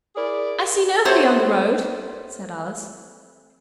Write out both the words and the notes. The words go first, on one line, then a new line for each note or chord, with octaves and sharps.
'I see nobody on the road,' said Alice.
E4 G#4 A#4 D5
A3 C4 G4 C5 C#5 F#5